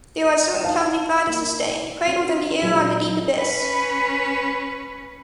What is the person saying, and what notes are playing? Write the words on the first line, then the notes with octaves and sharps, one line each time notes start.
Their uncertain, clumsy flight is sustained, cradled in the air on the deep abyss.
D#4 F5 A5
A#3
C#4 F#4 D5
A#2 F#3 G#3 C#4 F4
C#4 B4